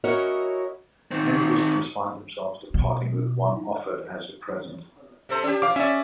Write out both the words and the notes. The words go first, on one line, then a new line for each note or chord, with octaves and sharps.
Many visitors find themselves departing with one offered as a present.
C#4 E4 F#4 A#4 C#5 D#5
D#3 C4
B2
C3 A4 C5
C#4 G4
F3 F5 D6
C#4 D5 E5